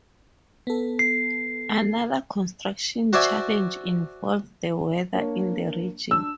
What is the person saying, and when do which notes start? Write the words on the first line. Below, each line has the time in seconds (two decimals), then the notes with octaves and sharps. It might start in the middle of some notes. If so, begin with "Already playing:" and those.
Another construction challenge involved the weather in the region.
0.67 B3 A4
0.99 C7
3.13 F#4 C5 D5 E5 G#5
5.14 A#3 D4 C#5
6.11 D4 E6